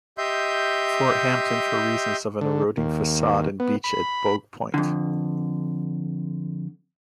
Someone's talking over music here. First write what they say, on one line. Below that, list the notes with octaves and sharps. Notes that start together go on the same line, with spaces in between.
Fort Hampton for reasons of an eroding facade and beach at Bogue Point.
G4 D#5 E5 C6 G6
D3
D#2
B3
B5
F2 D3